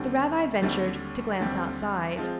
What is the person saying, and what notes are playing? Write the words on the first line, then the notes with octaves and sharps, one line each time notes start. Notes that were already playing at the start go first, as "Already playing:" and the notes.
The rabbi ventured to glance outside.
Already playing: D#2 D3 G3 C4
D#2 D3 G3 C4
D#2 D3 G3 C4
F3 G#3 C4 F4